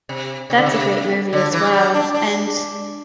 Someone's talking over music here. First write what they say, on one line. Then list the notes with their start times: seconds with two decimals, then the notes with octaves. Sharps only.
That's a great movie as well and
0.09 C3
0.50 C3
0.58 D3
0.66 C3
1.33 D3
1.53 E3
1.73 G3
1.94 D4
2.14 D4